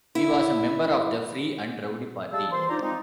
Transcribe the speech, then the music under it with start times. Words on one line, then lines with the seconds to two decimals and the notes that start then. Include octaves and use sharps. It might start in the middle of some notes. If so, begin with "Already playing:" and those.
He was a member of the Free and Rowdy Party.
0.15 E4
2.33 G3 G#4 F5 A5 E6
2.52 A#2 E3 C5 C6
2.69 D4 D#4 F4 C5 D5 A#5
2.82 F3 G#3 C4 D#4